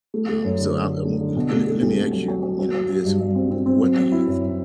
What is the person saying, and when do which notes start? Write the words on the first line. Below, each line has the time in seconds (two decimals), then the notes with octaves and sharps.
Um, so I I want the a le let me ask you, you know, this, w w what do you
0.14 A3
0.29 A3
0.45 F#2
0.59 D3
0.74 D3
0.90 D3
1.05 A3
1.21 D3
1.36 B2
1.51 A3
1.67 A3
1.82 C2
1.97 A3
2.12 F#3
2.28 F#3
2.43 F#3
2.59 F#3
2.74 F#3
2.90 F#3
3.05 G2
3.20 G2
3.35 C4
3.51 C4
3.66 C4
3.81 F#3
3.96 F#3
4.12 E4
4.27 F#2